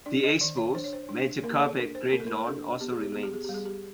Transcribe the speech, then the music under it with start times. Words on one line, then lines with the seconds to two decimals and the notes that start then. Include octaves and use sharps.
The expo's "Magic Carpet Great Lawn" also remains.
0.06 D4 D5
0.24 D#5
0.41 D#3 D5
0.57 C#5
0.75 D4 C5
0.84 C#5
0.93 C5
1.09 D4
1.43 A#3 A#4
1.54 G#4
1.61 A4
1.78 D4 A#4
1.95 C5
2.12 A#3 A#4
2.20 A4
2.27 A#4
2.47 D4 A4
2.81 B3 G4
2.91 G#4
3.01 G4
3.12 B3 G#4
3.23 G4
3.33 G#4
3.44 G3 G4
3.54 G#4
3.65 G4